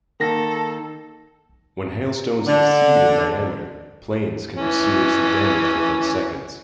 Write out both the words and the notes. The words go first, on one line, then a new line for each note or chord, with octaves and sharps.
When hailstones exceed in diameter, planes can be seriously damaged within seconds.
D#3 A#3 A4 A#6
D3
E3 C#4